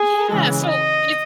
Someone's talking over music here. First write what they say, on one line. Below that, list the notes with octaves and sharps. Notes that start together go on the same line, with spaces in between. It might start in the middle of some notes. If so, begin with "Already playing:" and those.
Yeah. So if
Already playing: G#4
C#3 E3 G#3
D#5